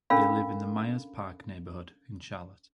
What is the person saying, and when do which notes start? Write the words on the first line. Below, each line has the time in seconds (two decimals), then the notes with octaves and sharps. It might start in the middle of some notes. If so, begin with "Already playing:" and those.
They live in the Myers Park neighborhood in Charlotte.
0.10 C#4 D4 A4 A#4 F5 B5